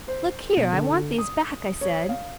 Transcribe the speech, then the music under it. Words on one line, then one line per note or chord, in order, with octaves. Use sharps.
'Look here, I want these back,' I said.
C5
B1
D3
D#6
C#5
F5